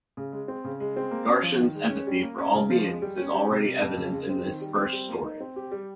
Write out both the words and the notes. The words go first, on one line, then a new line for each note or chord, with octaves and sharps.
Garshin's empathy for all beings is already evident in this first story.
C#3
G#3
C4
C#3
G#3
C4
A#3
C#4
F3
D#3
G#3
C#4
G3
A#3
C#4
C#3
F3
G#3
G3
C#4
G4
C3
G3
F2
C#3
G#3
C4
D#3
G3
C4
G3
A#3
D#4
C4
G4
G3